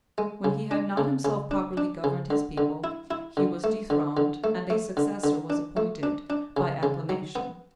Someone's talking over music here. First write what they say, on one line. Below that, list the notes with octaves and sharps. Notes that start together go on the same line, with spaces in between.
When he had not himself properly governed his people, he was dethroned, and a successor was appointed by acclamation.
G#3
C#3
D4
C#3
C#3
D4
D4
C#3
D3
D3
E4
E4
D3
A3
D3
D3
A3
A3
D3
D3
D4
A3
D4
D4
C#3
C#3
F#3
B3